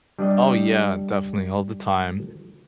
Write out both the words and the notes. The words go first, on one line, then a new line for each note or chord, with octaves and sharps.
Oh yeah, definitely all the time,
G3 D4 D5 D#5